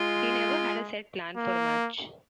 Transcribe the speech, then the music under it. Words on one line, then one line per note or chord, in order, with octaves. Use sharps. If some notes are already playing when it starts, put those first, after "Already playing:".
He never had a set plan for a match.
Already playing: G#3 F4
A#3